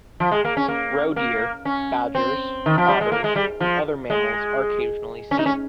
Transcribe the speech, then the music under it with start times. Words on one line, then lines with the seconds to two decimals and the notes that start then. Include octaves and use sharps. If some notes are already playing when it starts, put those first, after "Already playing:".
Roe deer, badgers, otters and other mammals are occasionally seen.
0.20 F3
0.31 G#3
0.45 A#3
0.57 C#4
0.68 A#3
1.16 A#3
1.65 C#4
2.15 C4
2.66 D#3
2.78 F3
2.88 G3
3.01 G#3
3.12 A#3
3.24 G#3
3.36 G3
3.60 F3
4.10 G#3
5.31 C#4
5.39 D#4
5.46 C#4